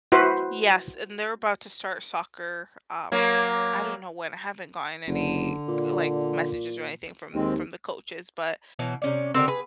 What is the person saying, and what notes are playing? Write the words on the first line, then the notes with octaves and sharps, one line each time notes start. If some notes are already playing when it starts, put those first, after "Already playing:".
Yes, and they're about to start soccer, um I don't know when. I haven't gotten any g like, messages or anything from from the coaches, but
E4 F#4 B4 C5
F#3 A#3
F#1 D3
A#2
D#2 D#3 G#3 C4
B2 E3 F#3
C3 C#4 D5
D3 C4 G4 A#4
G#4 B4